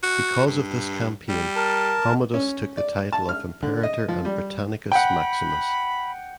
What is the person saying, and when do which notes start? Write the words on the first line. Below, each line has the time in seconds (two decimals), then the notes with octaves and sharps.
Because of this campaign Commodus took the title of Imperator and Britannicus Maximus.
0.03 F#4
0.46 G2
1.29 G3
1.56 A#4 A5
2.34 C#4
2.77 D5
3.12 A5
3.29 F6
3.62 D3
3.83 D#5
4.08 F3
4.25 G3
4.92 F#5 G5 B5